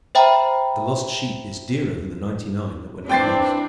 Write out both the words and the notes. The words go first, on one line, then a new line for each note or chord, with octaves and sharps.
The lost sheep is dearer than ninety-nine that were not lost.
C5 E5 G5 A#5 B5
E3 C4 D4 G5 A6 C7